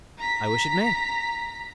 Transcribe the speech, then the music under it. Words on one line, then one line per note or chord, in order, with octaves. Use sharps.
"I wish it may."
A#5 B6